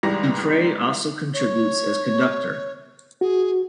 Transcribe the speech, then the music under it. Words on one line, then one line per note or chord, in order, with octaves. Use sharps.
Du Prez also contributes as conductor.
C2 G#2 E3 G3 A#6
C#5
F#4 G#4